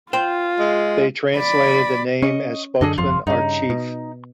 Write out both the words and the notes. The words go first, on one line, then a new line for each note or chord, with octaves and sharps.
They translated the name as "Spokesman" or "Chief".
F4 C5 G5
G#3
D5 B5
C#4 D#5 C#6
F#2 D3 D4 G#4 A4 D#5
G1 F2 F3 F4
G2 C#3 D#4
B2